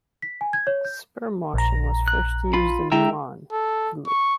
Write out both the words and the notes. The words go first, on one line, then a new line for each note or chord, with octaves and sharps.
Sperm washing was first used in Milan, Italy.
B6
G#5
G#6
C#5
G6
A#1 A#5
F#6
F4 B5
D3 G#3 E4 E5 G5 A#5
A4
C#6